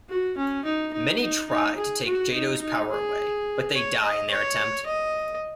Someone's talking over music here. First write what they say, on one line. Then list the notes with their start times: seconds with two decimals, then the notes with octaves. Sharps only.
Many try to take Jado's power away, but they die in their attempt.
0.09 F#4
0.37 C#4
0.65 D#4
0.93 D#4
1.21 D#4
1.50 D#4
1.77 G#4
2.05 F#4
2.34 D#4
2.61 D#4
2.90 G#4
3.74 C#5
4.02 D#5
4.30 C#5
4.86 D#5